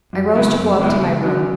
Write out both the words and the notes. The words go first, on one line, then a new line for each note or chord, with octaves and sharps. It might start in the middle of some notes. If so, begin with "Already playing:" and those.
I rose to go up to my room.
F#2
C#3 G#3 B3 E4
F#2
C#3 G#3 B3 E4
C#3
F#3 C#4